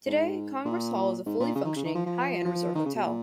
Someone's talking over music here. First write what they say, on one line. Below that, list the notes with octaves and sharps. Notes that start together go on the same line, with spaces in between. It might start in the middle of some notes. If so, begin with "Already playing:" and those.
Today, Congress Hall is a fully functioning, high-end resort hotel.
G#2
A#2
G#2
A#2
C#3
D#3
C#3
D#3
F3
F3
F3
D#3
C#3
B2
A#2